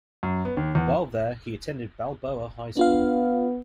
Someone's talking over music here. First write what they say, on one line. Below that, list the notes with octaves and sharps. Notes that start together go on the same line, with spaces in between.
While there he attended Balboa High School.
F#2
B3
D#2
E2
B3 D4 F4 F5